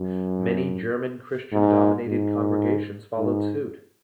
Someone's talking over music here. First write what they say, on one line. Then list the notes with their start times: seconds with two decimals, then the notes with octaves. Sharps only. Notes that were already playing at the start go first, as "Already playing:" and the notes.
Many German Christian-dominated congregations followed suit.
Already playing: F#2
1.52 G#2
2.07 G#2
3.17 G#2